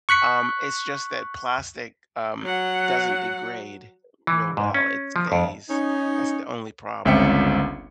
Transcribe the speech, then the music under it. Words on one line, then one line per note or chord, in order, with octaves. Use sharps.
um, it's just that plastic, um, doesn't degrade real well, it stays, that's the only problem.
C#6 F#6 B6 C#7
F#3 F#5
E3
G#2
C#4
F3
F2
C#4 D#4
G1 C#2 C4 E5 G5 C#7